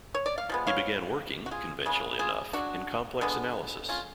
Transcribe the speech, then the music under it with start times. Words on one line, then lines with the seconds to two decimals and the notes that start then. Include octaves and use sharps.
He began working, conventionally enough, in complex analysis.
0.14 C#5
0.26 D5
0.38 F5
0.49 F3 G#3 B3
0.67 C#5 F5
1.46 F#4
1.51 F4 G#4
1.86 C#3 G#3 B3
2.19 F4 G#4
2.53 D4 F#4
3.21 D3 G#3 B3
3.89 C#4 F4